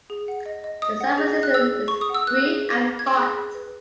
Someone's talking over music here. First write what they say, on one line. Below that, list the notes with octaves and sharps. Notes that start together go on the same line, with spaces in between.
The summer season is brief and hot.
G#4
F#5
D#5
D#5
D#5 D#6
F#5
G#4
D#5
F#6
G#4 E6
G#4
G#4 C#6
D#6
F#5 E6
B4 F#6
G#4
B4
B4
B4 G#6
G#4
G#4
B4